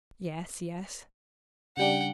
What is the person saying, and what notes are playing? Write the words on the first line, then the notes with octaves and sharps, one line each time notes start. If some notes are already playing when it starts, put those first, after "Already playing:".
"Yes, yes."
C#3 G3 D4 F#5 G5